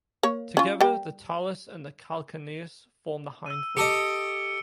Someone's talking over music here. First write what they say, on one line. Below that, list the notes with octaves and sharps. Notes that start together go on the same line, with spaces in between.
Together, the talus and calcaneus form the hindfoot.
A#3 C#5
C#4 F4
G3 G5
E6 D#7
G4 A4 D#5 C#7 D7 G7